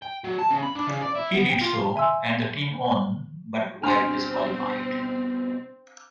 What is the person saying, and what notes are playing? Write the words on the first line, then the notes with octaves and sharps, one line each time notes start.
He did so and the team won but were disqualified.
G5
F#3
A5
C#3
B5
D4
C#3
D5
E4
B3
G5
F4
E5 G#5 C6 E6
B2 G3 C4 D4 C6 F6